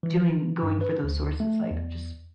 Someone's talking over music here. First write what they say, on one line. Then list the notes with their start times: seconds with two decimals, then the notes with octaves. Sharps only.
doing going for those sources, like just
0.03 E3
0.63 G2
0.81 B4
1.04 D2
1.40 A3
1.71 E2